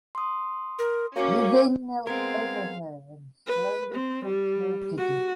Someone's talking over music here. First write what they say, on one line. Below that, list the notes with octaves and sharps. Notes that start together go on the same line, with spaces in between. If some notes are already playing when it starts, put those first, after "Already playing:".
He then knelt over her and slowly choked her to death.
C6 D#6
A#4
A#3 C#4 F#4 C#5 D6
G#3 B3 C4 A#4 F5 G#6
B4
C4
G3
F#4